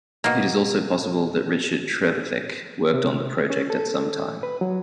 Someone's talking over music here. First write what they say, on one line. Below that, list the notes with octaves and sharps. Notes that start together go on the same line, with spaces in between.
It is also possible that Richard Trevithick worked on the project at some time.
B2 A#3
C3
C#4
A4
B4
F#3